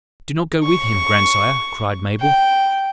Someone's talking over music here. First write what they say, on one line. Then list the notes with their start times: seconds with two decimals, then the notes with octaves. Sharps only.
"Do not go with him, grandsire," cried Mabel.
0.64 C#6
2.20 G5